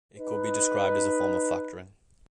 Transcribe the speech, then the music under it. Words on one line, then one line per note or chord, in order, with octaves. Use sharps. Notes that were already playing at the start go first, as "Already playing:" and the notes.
It could be described as a form of factoring.
D#4 B4